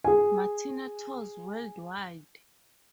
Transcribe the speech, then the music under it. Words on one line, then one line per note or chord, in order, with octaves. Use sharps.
Martino tours worldwide.
G#4 G#5